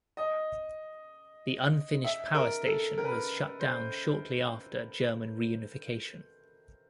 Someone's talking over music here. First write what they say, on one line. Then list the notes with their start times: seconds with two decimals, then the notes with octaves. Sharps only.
The unfinished power station was shut down shortly after German reunification.
0.17 D#5
2.04 E5
2.34 A#4
2.66 A4
2.98 A#4
3.04 B4
3.12 A#4
3.60 C5